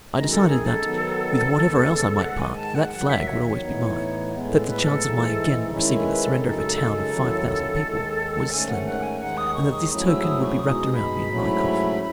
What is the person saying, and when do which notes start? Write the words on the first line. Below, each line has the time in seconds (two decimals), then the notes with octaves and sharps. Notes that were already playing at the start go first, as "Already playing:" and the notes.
I decided that, with whatever else I might part, that flag would always be mine, that the chance of my again receiving the surrender of a town of five thousand people was slender, and that this token would be wrapped around me in my coffin.
0.14 F#2 D#3 G#3 D#4 D#5
0.31 A4
0.48 G#4
0.66 A4
0.83 D#3 F#3 B3 D#4
1.53 D#2 C#3 G#3 B3
2.23 G#2 D#3 G#3 F#5
2.40 G#5
2.58 A5
2.75 F#5
2.92 D#2 D#3 F#3 F#5
3.10 E5
3.27 C#5
3.45 C#5
3.63 A2 E3 B3 D#4
4.32 A2 G#3 B3
4.49 A4
4.67 B4
4.84 A4
5.01 G#2 E3 G#3 D#4
5.71 D#3 G#3 C#4 E4
5.88 A4
6.06 B4
6.23 A4
6.41 F#2 C#3 G#3 D#4 A4
6.58 A4
6.76 A4
6.93 A4
7.11 D#2 D#3 F#3 C#4 E4
7.81 D#2 D#3 G#3
8.50 G#2 D#3 A3 C#4 G#5
8.68 F#5
8.85 F#5
9.03 G#5
9.20 D#2 D#3 G#3 D#4 F#5
9.37 D#6
9.55 C#6
9.72 D#6
9.90 G#2 F#3 A3 C#4 E4 D#6
10.07 E6
10.24 D#6
10.42 C#6
10.59 B2 G#3 D#4 D#6
10.94 B5
11.29 G#2 F#3 A3 C#4 E4